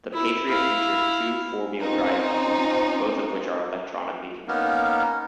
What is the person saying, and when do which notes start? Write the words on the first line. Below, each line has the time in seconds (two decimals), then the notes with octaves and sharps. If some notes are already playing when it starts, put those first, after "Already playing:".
The Patriot features two four-wheel drive systems both of which are electronically controlled.
0.13 E4
0.47 E4 F5
1.78 C4 C#4 D#4 F4
4.48 A#3 B3 C#4 D#4 A#4